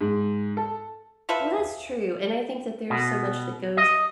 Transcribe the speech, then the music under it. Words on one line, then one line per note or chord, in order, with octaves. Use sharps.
Well, that's true, and I think that there's so much that goes
G#2
A4
F4 A4 B4 E5
B2
D#5